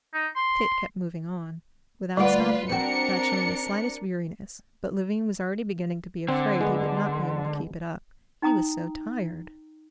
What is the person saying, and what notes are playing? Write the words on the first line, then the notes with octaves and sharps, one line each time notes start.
Tit kept moving on, without stopping, not showing the slightest weariness, but Levin was already beginning to be afraid he would not be able to keep it up: he was so tired.
D#4
C6
D2 G3 F4 B4 D5 F#5
C4 D4 F#4 A#4 C#7
D3 C4
G#3 B3
D#4 G5 A#5 D#6